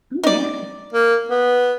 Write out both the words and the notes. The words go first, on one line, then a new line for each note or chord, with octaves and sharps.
Oh, man.
D#4 D5
A#3
B3